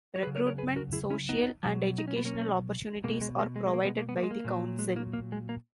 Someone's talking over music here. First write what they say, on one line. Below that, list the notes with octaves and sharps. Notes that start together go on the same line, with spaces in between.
Recruitment, social, and educational opportunities are provided by the council.
C#5
C#3 F#3 G#4 B4
A#4 C#5
A#4 C#5
G#4 B4
F#4 A#4
E4 G#4
C#4 E4
B3 D#4
B2 F#3
D#4
C#4
B3
A#3 C#4
B2 G#3 A#3
G#3
G#3
G#3
G#3
A#3
G#3 B3
A#3
B3
A#3
G#3
A#3
A#2 F#3
G#3
A#3
A#3
G#3
A#3